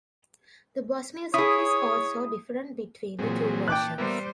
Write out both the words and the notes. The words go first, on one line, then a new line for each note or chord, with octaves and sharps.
The boss music is also different between the two versions.
E4 G#4 C#5 D#6
A#2 E3 F#3 C4 G#4
G5 A5 D6 F#6
G3 B3 A#4 C5 E5